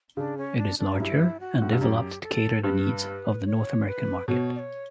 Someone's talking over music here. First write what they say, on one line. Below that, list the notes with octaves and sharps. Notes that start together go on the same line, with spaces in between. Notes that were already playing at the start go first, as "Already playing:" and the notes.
It is larger and developed to cater the needs of the North American market.
C#3 D4
C#4
D4
D4
F#2
G2 E4
F#4
A2
G2
F#2 G4
A4
G2 B4
C#5
B4
B2 C#5
D5
C#5